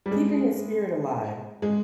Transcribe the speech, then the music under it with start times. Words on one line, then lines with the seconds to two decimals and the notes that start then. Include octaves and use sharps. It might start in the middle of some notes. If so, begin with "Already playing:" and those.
Keeping his spirit alive.
0.06 G3
0.11 G#3
1.62 G#3